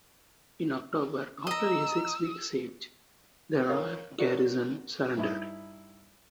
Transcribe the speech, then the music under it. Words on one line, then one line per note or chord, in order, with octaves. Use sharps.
In October, after a six-week siege, the royal garrison surrendered.
D#5 A#5 E6
A#4 C#5 F5
D4 F#4 A#4 C#5
G2 D#4 E4 B5 D#6